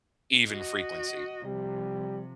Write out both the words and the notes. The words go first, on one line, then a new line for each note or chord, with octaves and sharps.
even frequency.
F#4 D#5
C3 F3 G3